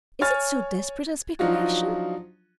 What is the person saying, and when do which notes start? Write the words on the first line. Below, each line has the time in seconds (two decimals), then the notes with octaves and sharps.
Is it so desperate a speculation?
0.21 C#5 G#5 F6 A6
1.39 F3 F#3 D4 D#4 F4 F#4